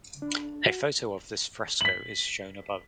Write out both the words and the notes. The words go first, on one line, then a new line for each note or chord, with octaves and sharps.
A photo of this fresco is shown above.
D4
F#4
B6 F#7